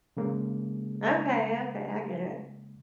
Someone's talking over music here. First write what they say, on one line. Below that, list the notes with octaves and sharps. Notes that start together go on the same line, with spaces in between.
Okay, okay, I get it.
C#3 G#3 A#3